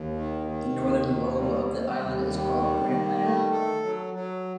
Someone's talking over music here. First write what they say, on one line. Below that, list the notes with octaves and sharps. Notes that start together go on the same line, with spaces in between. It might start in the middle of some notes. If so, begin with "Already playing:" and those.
The northern lobe of the island is called Grant Land.
Already playing: D#2
D#3
D#3
D#2
D#2
G3
G3
D#2
D#3
G3
D#3
A3
A4
F#3
F#3